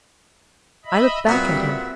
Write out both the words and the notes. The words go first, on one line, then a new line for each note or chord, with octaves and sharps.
I looked back at him.
D#5 E5 B5
A#2 G3 B3 C4 F#4 E5